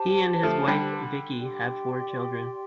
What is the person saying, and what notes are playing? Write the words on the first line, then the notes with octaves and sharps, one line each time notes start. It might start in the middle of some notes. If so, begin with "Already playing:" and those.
He and his wife Vicky have four children.
Already playing: G4 C5 A5
F3 A3
D3 G3
G4 D5 G5 C6